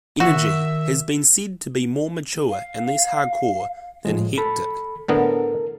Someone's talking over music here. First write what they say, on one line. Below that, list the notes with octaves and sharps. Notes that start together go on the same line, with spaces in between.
"Energy" has been said to be more mature and less hardcore than "Hectic".
D#3 F#4 E5
F5
A2 F3 G#3
A4 B5
A2 D3 B3 A4 A#4